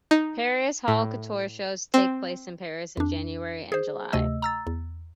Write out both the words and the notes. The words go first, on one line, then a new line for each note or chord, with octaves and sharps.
Paris' haute couture shows take place in Paris in January and July.
D#4
A2
C4
F2 D4
G#4 C5
D2 C3 A3 D#5 E6
A#5 E6 A6
E2